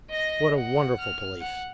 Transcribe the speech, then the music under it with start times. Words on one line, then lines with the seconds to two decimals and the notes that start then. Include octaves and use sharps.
What a wonderful Police!
0.10 D#5 A#6
0.56 F#5
0.99 F6
1.41 F#5